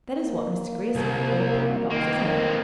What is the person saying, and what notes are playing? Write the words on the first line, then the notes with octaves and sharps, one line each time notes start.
That is what Mr. Grierson would call a paradox, isn't it?
A#3
C2
D#3 A#3 C4